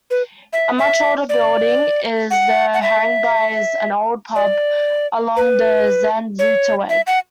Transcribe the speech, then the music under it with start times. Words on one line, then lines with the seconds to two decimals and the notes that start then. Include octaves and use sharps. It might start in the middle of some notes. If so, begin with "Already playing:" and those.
A much older building is the "Haringbuys", an old pub along the Zandvoorterweg.
0.10 B4
0.53 E5
0.78 E5
1.29 D5
2.31 F#5
2.74 F#5
2.82 E5
4.36 D5
5.37 B4
6.39 C#5
6.89 E5
7.07 F#5